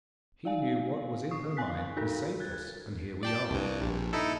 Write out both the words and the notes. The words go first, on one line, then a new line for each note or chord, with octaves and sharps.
He knew what was in her mind and saved us, and here we are.
D#4 D5 F5 G#5
C#6 D#6 C7
F5 G#5 F#6 B6
D#4 F#4 A4 A#4
F#6 G#6 A6
D5 G5 A5
C2 G2
A#1
D#4 E4 A4